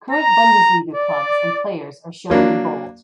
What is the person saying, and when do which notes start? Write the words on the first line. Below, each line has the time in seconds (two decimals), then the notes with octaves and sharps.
Current Bundesliga clubs and players are shown in bold.
0.10 A#5
0.95 D5
2.30 F#3 A#3 D4